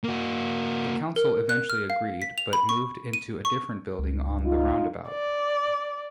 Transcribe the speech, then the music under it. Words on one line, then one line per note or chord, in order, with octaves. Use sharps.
The Council eventually agreed but moved into a different building on the roundabout.
A#3 F#4
A#4
F#6
F6
F5
B6
F7
B5
C#6
D#7
C#6
C#2
D#4 F4
D5